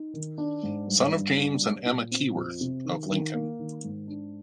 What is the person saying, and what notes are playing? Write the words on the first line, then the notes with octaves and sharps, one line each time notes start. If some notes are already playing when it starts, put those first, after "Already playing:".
Son of James and Emma Keyworth, of Lincoln.
Already playing: D#4
D#3
D4
G#2
G2
G2
D4
G3
A#2
C4
F2
C3
D#3
D#3
A#3
D#3
G#2
D4